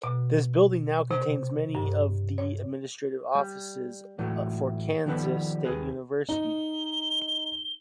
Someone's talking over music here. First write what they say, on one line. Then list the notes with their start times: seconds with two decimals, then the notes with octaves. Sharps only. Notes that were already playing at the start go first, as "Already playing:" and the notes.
This building now contains many of the administrative offices for Kansas State University.
0.04 B2
1.11 C3
1.75 G2
2.38 C#5
3.35 G3
4.19 A2 E3 F#3 A3
5.06 D#3 F3 G3 B3 A4 B4
5.65 D#2 G#4 B4
6.29 D#4 G7